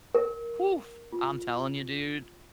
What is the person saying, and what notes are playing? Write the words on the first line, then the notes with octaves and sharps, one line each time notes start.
Oof! I'm telling you, dude,
A#4
F4